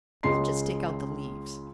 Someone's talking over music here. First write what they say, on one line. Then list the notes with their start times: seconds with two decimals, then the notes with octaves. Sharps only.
We'll just take out the leaves.
0.23 C#2 C#3 G#3 C6 C7